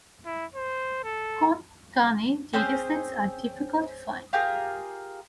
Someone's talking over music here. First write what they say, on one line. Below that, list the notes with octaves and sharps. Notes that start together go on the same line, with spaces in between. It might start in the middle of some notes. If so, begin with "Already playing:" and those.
Konkani datasets are difficult to find.
E4
C5
A4
C4 C#4 G#4 C5
F4 G4 G#4 A#4